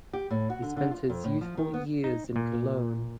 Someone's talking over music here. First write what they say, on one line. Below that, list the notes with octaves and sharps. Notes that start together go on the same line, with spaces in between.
He spent his youthful years in Cologne.
G4
A2
F#4
D3
D3
F4
F2
A2
F3
D#3
B3
D#4
A#2